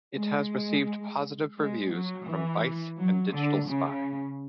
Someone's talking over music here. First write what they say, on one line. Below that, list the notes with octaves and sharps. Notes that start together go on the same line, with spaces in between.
It has received positive reviews from "Vice" and "Digital Spy".
G#3
G#3
F#3
E3
F#3
D3
C#3